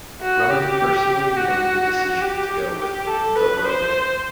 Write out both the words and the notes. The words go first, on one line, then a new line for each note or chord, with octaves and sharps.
Grumman personally made the decision to go with "the low wing".
F#4
G4
F#4
G4
G4
G4
A4
B4
C5